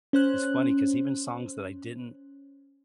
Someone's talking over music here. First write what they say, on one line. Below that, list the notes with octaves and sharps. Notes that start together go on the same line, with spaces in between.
It's funny 'cause even songs that I didn't
C#4 C5 F#6